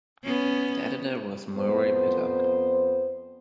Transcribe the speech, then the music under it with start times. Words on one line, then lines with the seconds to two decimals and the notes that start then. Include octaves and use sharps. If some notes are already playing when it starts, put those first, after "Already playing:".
The editor was Murray Pittock.
0.24 B3 C#4
1.56 F2 B3 C5